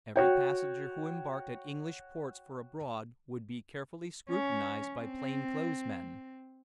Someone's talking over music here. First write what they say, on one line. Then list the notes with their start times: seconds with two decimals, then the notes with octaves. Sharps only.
Every passenger who embarked at English ports for abroad would be carefully scrutinized by plain-clothes men.
0.16 F#4 C#5 G5
4.30 C#4
5.00 C4